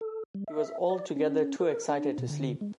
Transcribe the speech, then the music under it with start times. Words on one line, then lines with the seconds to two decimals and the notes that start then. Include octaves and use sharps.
He was altogether too excited to sleep.
0.01 A4
0.35 G3
0.48 E5
0.90 D5
1.16 C#4
1.60 A#4
1.89 D4
2.18 B2
2.30 D3
2.61 G#3